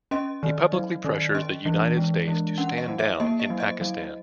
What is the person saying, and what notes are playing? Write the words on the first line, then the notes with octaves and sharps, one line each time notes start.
He publicly pressures the United States to stand down in Pakistan.
C#4 D#5
D#3
F#3
D#3
C#4 D#5
E3
G#3
E3
C#4 F#5
D#5
F#3
E5
A#3 D#5
D#5
F#3
D#5
F#3